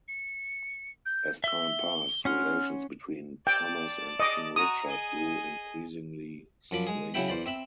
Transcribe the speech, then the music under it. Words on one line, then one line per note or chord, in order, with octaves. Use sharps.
As time passed relations between Thomas and King Richard grew increasingly strained.
C#7
G6
E5 E6 G7
C#4 F#5 C6 F6
D5 G5 A5
D#5 D6
F#4 A#5 D#6
G#4 D#5
F#2 F3 B5 D6
G#3 G#4
C#3 F#3 E4 E5 G5 B5
E2 C5 D5 B5
C4 E5 B5